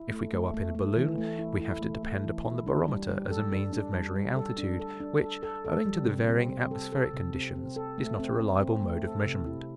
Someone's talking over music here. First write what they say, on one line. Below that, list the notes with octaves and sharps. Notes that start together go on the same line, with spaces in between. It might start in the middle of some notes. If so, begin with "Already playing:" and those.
If we go up in a balloon we have to depend upon the barometer as a means of measuring altitude, which, owing to the varying atmospheric conditions, is not a reliable mode of measurement.
Already playing: E4
A3
A3
A3
A3
E3
A3
E4
E4
A3
A3
E3
E4
D4
G3
G3
A4
D4
D4
G3
G3
A4
D4
A4
D4
A4
A4
A4
G3
C3
C4
C4
A4
A4
C3
C4
C4
A4
A3
C4
C4
C4
A3
A4
C3
E4